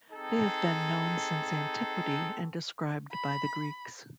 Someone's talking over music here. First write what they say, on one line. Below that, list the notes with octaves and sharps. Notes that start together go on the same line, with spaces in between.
They have been known since antiquity, and described by the Greeks.
C4 D#4 G#4 A4
B5